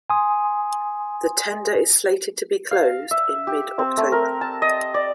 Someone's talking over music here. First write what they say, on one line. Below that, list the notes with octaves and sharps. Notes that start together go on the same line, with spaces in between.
The tender is slated to be closed in mid-October.
G#5 C6 D#6
F5
E5
G4
C4
A3
A#4
A5
D#5
D5